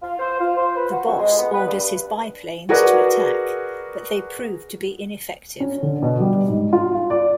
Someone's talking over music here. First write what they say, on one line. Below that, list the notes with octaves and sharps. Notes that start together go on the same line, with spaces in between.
The Boss orders his biplanes to attack, but they prove to be ineffective.
F4
C5
F4
C5
B4
F#4
F2
G#3
B3
B4
G2
F#4 G#4 A#4 B4 D5
C#4
D3
B2
G3
G#2
F4
F5
D5